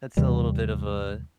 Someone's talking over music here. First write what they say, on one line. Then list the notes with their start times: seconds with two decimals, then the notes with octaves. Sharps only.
That's a little bit of a,
0.17 D#2 C3 E3 G3